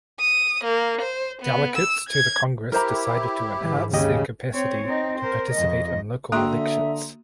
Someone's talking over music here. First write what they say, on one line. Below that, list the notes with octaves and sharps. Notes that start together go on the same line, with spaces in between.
Delegates to the congress decided to enhance their capacity to participate in local elections.
D#6
A#3
C5
B3
E6
G#6
E4 G4 A#4 C5 A#5
G#2 E3
D#2 C#3 G4 D#5
C4 C#5
C4 D#4
A#4 C5
F2 D#5
D3 A#3 F#4 E5 G5 A#5 C6 D#6